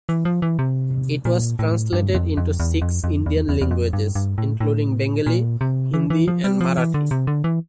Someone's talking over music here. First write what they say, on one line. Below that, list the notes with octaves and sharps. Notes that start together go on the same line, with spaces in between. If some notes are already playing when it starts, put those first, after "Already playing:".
It was translated into six Indian languages, including Bengali, Hindi, and Marathi.
E3
F3
E3
C3
A#2
A2
G2
F2
F2
E2
F2
F2
E2
E2
E2
F2
G2
G2
A2
A2
A#2
C3
E3
E3
F3
G3
F3
E3
D3
C3
D3
E3